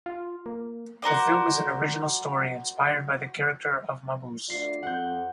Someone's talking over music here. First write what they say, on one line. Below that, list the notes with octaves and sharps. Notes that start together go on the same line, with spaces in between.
The film is an original story inspired by the character of Mabuse.
F4
A#3
F#4 A#4 C5 D5
D2 F4 D5 C7
F2 F#5 G6